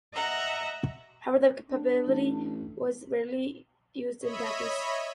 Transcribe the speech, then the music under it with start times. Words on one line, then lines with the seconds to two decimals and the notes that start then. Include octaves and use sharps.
However, the capability was rarely used in practice.
0.13 D#5 E5 F#5 A#5
1.69 D4
2.07 A1
4.21 C#5 D#5 E5 B5